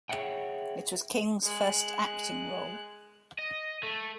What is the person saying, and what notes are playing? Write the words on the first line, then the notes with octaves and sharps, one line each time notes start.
It was King's first acting role.
G#4 C#5 E5 F#5 G5
G#3 F#6
D#5
A3